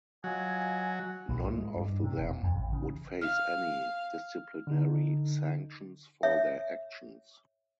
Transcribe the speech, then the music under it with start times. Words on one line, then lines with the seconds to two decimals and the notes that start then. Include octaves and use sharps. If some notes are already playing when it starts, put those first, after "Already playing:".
None of them would face any disciplinary sanctions for their actions.
0.24 F#3 F4 D#5 G#5
1.29 B1
1.43 A2
1.58 G#3
1.77 G2
2.04 C3
2.18 E1
2.43 F2
2.56 A1
2.73 C#3
3.21 F5 F6
4.67 D3 D#4
6.23 C#5 E5